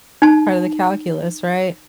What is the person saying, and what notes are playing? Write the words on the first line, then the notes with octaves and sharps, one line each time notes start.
part of the calculus, right.
D#4 A5